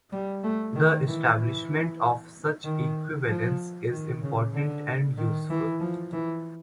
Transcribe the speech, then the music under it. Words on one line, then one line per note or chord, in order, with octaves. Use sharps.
The establishment of such equivalence is important and useful.
G3
A3
D#3
E3
E3
D#3
F3
D#3
C#3
D3
D#3
E3
F3
E3